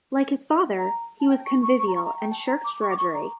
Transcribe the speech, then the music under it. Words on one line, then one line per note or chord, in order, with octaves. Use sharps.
Like his father, he was convivial and shirked drudgery.
A#5
A5
G5
C#6
C#6
C#6
A#5
C#6
A#5
G5
A5
A#5
D6
C#6
D6
C#6
A#5